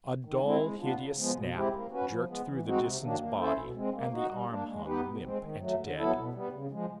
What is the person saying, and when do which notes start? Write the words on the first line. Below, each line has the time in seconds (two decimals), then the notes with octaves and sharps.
A dull, hideous snap jerked through the Disan's body and the arm hung limp and dead.
0.25 D#3
0.42 G#3 C4 E4
0.61 G#3
0.80 B3 D4 F4
0.98 C#3
1.17 F3 G#3 B3
1.35 B2
1.54 G#3 C4 E4 G4
1.72 A#3
1.91 C#4 F#4 B4
2.09 F3
2.27 G#3 B3
2.46 E3
2.64 G#3 C4 D#4 F#4
2.83 C3
3.01 D#3 F#3 A#3 D4
3.20 A#3
3.39 C#4 E4 A4 C5
3.57 B2
3.75 G#3 C4
3.94 A#3
4.12 D#4 F#4
4.31 G3
4.49 A#3 D4
4.67 G#3
4.86 B3 D#4 G4 B4
5.05 B2
5.23 G#3 C4
5.41 D#3
5.60 F#3 A3
5.79 D3
5.97 F#3 B3 E4 A4
6.15 B2
6.33 G3 B3
6.52 C#3
6.71 F3 G#3